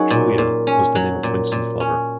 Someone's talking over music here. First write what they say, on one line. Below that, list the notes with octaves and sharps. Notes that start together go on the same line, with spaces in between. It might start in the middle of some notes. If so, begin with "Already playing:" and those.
"Julia" was the name of Winston's lover.
Already playing: F#3 C#4 D#4 F#4 G#4 A#4
A#2
A#2
C#4
F#3
A#2
A#2
C#4